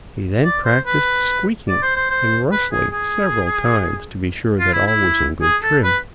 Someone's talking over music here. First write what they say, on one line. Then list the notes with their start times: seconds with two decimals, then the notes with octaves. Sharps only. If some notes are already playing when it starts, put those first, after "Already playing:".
He then practiced squeaking and rustling several times to be sure that all was in good trim.
0.44 D5
0.65 C5
0.86 B4
1.69 D5
1.82 C5
1.96 C5
2.10 C5
2.52 B4
2.72 G#4
2.93 G#4
4.59 F4
4.73 E4
4.86 E4
5.42 G#4
5.63 A4
5.83 B4